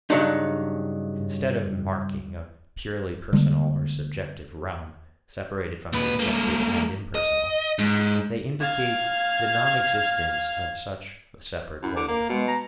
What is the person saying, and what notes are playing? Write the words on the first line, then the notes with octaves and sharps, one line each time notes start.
Instead of marking a purely personal or subjective realm, separated from the objective and impersonal, they indicate the non-existence of such a separate world.
G2 C#3 F#3 D4 D#4
D3 G3 G#3 A#3
A#2 B4
A3 A#3
D#5
G#2
F5 G#6
F#2 E4
D3 D6
A#3 A#4
B2 G#3
A#5